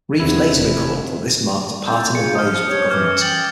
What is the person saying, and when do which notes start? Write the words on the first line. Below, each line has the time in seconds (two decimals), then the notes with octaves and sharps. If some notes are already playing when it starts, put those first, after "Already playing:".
Reeves later recalled that this marked a "parting of ways" with the Government.
0.20 E2 C3 E4
0.54 F1
1.87 C4 E4 A4 G6
2.15 C#3 F4 G#4 C#7
2.35 F3 D#6 F6
2.68 G4 C5 C#5
2.90 F#2 E3 D6 F6 G#6
3.21 G5 A6 F#7